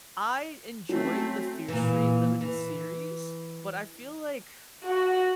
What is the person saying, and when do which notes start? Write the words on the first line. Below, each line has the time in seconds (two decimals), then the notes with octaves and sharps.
I enjoyed the Fear Street Limited series, but I feel like
0.89 F#3 A3 C4 C#4
1.68 A#2 E3
2.41 E3
4.84 F#4